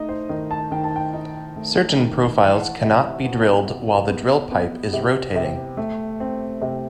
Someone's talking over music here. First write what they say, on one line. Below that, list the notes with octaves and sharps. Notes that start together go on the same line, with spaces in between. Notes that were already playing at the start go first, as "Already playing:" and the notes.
Certain profiles cannot be drilled while the drill pipe is rotating.
Already playing: A3 D#4 D#5
C5
D#3 D#5
A5
D#3 G5
A5
G5
D#4
A3
D#3
E3 A5
F#5
C3 D#5
E5
B3 F#4
C3
B3
B3
C3 G4
C3
A3
C4
C3